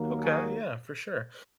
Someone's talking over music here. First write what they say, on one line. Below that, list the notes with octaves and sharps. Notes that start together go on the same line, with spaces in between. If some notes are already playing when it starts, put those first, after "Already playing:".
Okay, yeah, for sure.
Already playing: D#2 D#3 F#3 A#3
F#4 G#4